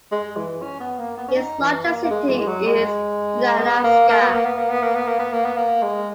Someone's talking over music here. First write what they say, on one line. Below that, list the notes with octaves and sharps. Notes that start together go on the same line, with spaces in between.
Its largest city is Unalaska.
G#3
E3
C#4
B3
A#3
B3
C#4
D#4
E3
A#3
A#3
G#3
E3
G#3
F#3
G#3
B3
A#3
A#3
B3
A#3
B3
A#3
B3
A#3
B3
A#3
B3
A#3
B3
A#3
G#3